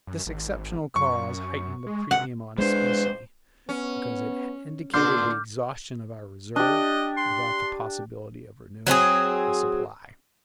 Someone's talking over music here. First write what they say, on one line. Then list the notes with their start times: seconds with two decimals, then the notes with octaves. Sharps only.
This exceptional cause heightened the premium on specie, because it indicated the exhaustion of our reserve, without the possibility of renewing the supply.
0.07 F#2
0.26 G#1
0.96 F#2 C#6
1.87 G#3
2.11 C3 F#5
2.58 G#3 C4 D4 B4 C5
3.69 B3 C#4
4.94 A#2 D3 D4 C6 D6 F6 G6
6.56 D4 G4 D#5
7.17 C6
8.87 F#3 C4 D#4 G#4